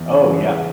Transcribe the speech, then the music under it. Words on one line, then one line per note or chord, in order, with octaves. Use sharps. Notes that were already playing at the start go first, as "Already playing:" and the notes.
Oh, yeah.
Already playing: E2
C#3 E3